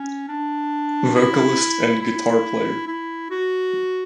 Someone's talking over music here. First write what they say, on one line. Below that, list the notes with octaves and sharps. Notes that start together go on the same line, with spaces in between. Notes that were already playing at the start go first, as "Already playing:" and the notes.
Vocalist and guitar player.
Already playing: C#4
D4
E4
E4
E4
F#4